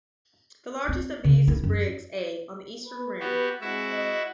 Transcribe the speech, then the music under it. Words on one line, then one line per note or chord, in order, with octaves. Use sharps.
The largest of these is Briggs A on the eastern rim.
C4
C#3
E4
F#2
B4
B3 F#4 G4 B4
G#3 C4 E4 F#4 E5
D#5